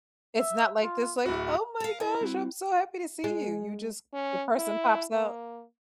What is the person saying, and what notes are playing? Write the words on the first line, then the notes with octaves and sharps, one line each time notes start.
It's not like this, like, "Oh my gosh, I'm so happy to see you." You just The person pops out,
E5
F4
D1 E4 F#4
A#4 F5
E4 A#4 D#5 G#5
G3 C4 F#4
G#3
C#4
E4
A#3